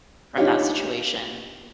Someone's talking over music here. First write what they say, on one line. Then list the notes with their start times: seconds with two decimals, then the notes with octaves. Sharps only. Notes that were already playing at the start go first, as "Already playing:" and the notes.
from that situation.
0.37 D4 D#4 F4 G4 C#5